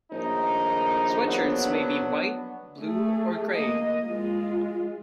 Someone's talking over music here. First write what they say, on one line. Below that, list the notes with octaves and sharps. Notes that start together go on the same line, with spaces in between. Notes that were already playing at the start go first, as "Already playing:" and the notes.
Sweatshirts may be white, blue or gray.
A#1 A2 D#3 D#4
F#3 B3 D4
A3 G#4
A#3 D#5
G#3 F4